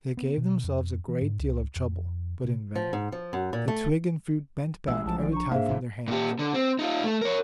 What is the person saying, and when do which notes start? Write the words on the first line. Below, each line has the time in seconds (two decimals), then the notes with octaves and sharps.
They gave themselves a great deal of trouble, but in vain; the twigs and fruit bent back every time from their hands.
0.17 B3
0.38 B2
0.64 F2
1.08 E3
1.21 G#2
1.39 C#2
1.76 F2
2.45 C3
2.76 F3
2.93 G#2
3.12 F3
3.33 F#2
3.53 A#2
3.68 A3
4.88 A1 G#3 E5 E6
5.06 A#1 F3 A5
5.19 D5
5.32 D4 A#5 C#6
5.52 G#2 A#3 D4 G#4 C5 E5 F5
5.68 G1 C3 E3
6.08 A#2 G4
6.39 D3
6.54 C4
6.79 D#4 F4
7.04 A3
7.21 A#4 C#5